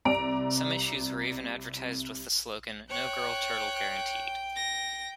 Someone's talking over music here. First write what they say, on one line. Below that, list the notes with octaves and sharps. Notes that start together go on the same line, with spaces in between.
Some issues were even advertised with the slogan: No girl turtle guaranteed.
C2 C3 D5 A#5 D7
C#5 G5 F#6
A#6